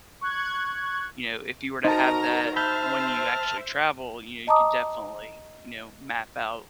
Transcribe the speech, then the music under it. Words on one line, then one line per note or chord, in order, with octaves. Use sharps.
you know, if you were to have that when you actually travel, you know, you could definitely you know, map out
C#6 F#6 G#6
D#4 F#4 A#4 C5 A5 A#5
C5 E5 A5 B5 F6 G6
D#5 A5 A#5 D6 D#6